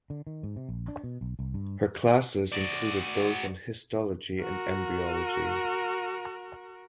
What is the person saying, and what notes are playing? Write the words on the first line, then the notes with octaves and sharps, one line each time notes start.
Her classes included those on histology and embryology.
D3
D#3
G#2
C3
A#1
D4
B2
B1
C2
G2
F#4 D5
F#4 A#4